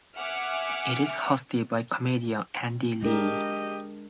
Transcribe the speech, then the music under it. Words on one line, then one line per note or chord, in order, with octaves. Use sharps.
It is hosted by comedian Andy Lee.
E5 F#5 G#5 D6 F6 C#7
G#3 D4 G4 A#4 D#5